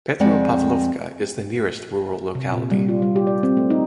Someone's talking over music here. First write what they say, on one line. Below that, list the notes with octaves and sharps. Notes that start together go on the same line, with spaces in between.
Petropavlovka is the nearest rural locality.
F2 G#3 C4 G#4 D5 F#5
C3
A#2
G3
F4
G3
G4
D5
C4
A3
D#4